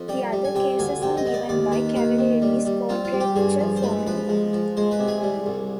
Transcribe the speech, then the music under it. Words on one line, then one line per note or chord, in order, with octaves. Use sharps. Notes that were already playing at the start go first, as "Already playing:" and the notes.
The other cases are given by Cavalieri's quadrature formula.
Already playing: F2
G3 G5
G3
G#5
C3 G5
D2 G#5
C3 G5
D#5
B3
D5
D#2 D5
D#3 B4
D#2 B4
D#3
G3
G3
C4 F4
F4
G3
G4
G2 G#4
F3
C5
G#3 B4
F3 B4
G#3
F3
G#3 C5
B4
C3
G#4
G3
C2